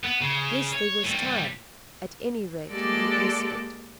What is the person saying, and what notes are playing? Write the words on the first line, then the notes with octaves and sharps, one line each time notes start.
Yes, there was time; at any rate he would risk it.
B3
C#3
C#5
A2 G3
G#3 A#3 G4 A4 D5